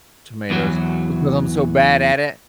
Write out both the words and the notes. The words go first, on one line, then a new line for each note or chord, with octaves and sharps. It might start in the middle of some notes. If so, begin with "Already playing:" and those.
tomatoes because I'm so bad at it.
E2 E3 F#3 F#4